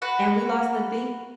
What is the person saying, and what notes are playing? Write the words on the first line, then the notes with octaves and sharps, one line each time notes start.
And we lost the defense
F#4 B4 F#5